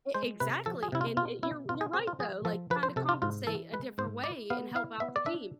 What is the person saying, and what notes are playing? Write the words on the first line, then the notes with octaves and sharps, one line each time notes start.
E exactly, and e you're you're right though, like, kinda compensate a different way and help out the team,
G#3 C5
C3 B4
F3 A4
G#4
C3 E4
F4
B2 F4
B2 E4
B2 F4
G#4
C4 G#4
F4
F3 G#4
F3 A4
F3 B4
C5
C3 A4
F4
G#2 F4
E3 A4
G#3 B4
G#2 C5
E4 D5
B3 F5
E4 F5
B3 E5
D5
D4 E5